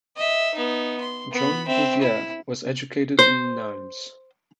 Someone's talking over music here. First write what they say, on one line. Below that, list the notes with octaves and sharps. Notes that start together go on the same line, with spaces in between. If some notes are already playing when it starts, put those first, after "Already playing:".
John Bouvier was educated in Nimes.
D#5 E5
B3 D#4
C6
B3 B5
C4 E5
E4
C5